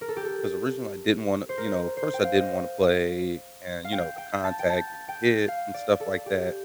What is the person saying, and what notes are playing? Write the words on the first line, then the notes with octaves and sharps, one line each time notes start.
'cause originally I didn't wanna you know, first, I didn't wanna play and, you know, the contact, getting hit, and stuff like that,
A#4
A4
G4
A4
C5
A#4
C5
G5
F5
D#5
F5
G5
G5
A5
G5
A5
G5
F5
D5
A4
G4